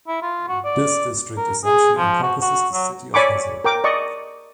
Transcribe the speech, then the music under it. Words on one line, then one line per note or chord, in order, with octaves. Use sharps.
This district essentially encompasses the city of Hazard.
E4
F4
F#4
D5
A#4
G#4
F3
F#4
F#4
F#3
C#5 D5 G#5 B5 C#6 D6
A#4 G5 D6
D5 D#5 C#6